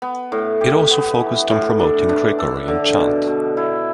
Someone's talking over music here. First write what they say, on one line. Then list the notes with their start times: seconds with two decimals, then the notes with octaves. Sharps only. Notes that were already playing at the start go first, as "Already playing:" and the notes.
It also focused on promoting Gregorian Chant.
0.02 B3
0.32 A2
0.61 G4
0.91 B3
1.20 E3
1.50 A2
1.80 D4
2.09 D4
2.38 A4
2.68 D3
2.98 B2
3.27 B2
3.57 E4